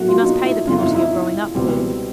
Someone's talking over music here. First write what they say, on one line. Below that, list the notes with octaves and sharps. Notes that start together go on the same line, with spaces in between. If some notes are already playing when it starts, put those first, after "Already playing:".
You must pay the penalty of growing-up, Paul.
Already playing: B1 A2 F#3 A#3 F#4
F4
D#4
E4
G1 F2 C#3 F4
E4
D#4
E4
C#2 B2 G3 C4